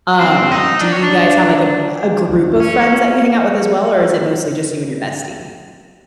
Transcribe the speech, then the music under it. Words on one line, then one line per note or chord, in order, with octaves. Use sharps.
Um, do you guys have, like, a b a group of friends that you hang out with as well, or is it mostly just you and your bestie?
C4
D#4
D4
C#4
D4
C#4